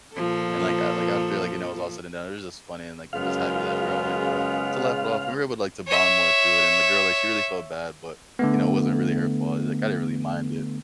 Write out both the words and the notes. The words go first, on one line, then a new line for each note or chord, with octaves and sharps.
and, like like, after, like, you know, it was all said and done, it was just funny, and, like, I'm just happy that we're all able to to laugh it off, and we were able to, like, to bond more through it, and the girl, like, she really felt bad, but, you know, it wasn't really her fault, like, I didn't really mind it.
A#2 F3 A4
F#2 C#3 G#3 B3 F4 F5
C#5 E5
D3 A3 B3